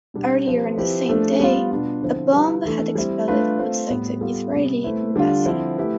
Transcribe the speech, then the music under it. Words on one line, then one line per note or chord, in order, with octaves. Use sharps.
Earlier on the same day, a bomb had exploded outside the Israeli embassy.
B2 G3 B3 D4
F3 C4 G4 B4
F3 C4 E4 G4 B4
F3 A3 D4 A4
G3 B3 F4
B2 B3 D4 F4
D3 F3 C4 E4
G3 D4 F4 B4
E3 A3 D4 A4
G3 C4 E4
A3 D4 F4 B4
A3 C4 F4
A2 G3 B3
G3 B3 F4 A4
C3 G3 B3
A3 C4 E4 B4
D3 G3 D4 F4
D3 F3 C4 E4
A3 E4 G4 B4